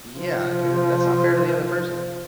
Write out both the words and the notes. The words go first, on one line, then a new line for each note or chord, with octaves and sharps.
Yeah, 'cau uh that's unfair to the other person.
C3 F3